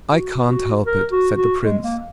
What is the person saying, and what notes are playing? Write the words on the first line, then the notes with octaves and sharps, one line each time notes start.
"I can't help it," said the prince.
F#4
F#4
A#4
F#4
F#4
G#3
A#3